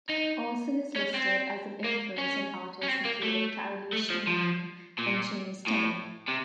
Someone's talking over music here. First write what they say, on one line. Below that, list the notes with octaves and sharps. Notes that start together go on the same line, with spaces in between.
Olson is listed as an influence on artists including Carolee Schneemann and James Tenney.
D#4
C#4
C4
A#3
C#4
C#4
C4
A#3
A3
A3
F3
F3
A#2
A2
C3